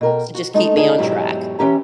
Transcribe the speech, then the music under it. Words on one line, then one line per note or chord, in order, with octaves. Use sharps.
to just keep me on track.
B2 A#4 G5
F#4
G#3 A3 D#4
D3 D#4 G#4 A4 B4 D5
E2 G#2 B2 F#3 E4 G4
E3 C#4 G4 A#5